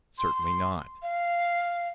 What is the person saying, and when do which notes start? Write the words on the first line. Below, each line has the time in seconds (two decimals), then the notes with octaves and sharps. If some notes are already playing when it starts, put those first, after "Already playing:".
Certainly not.
0.19 C6
1.02 F5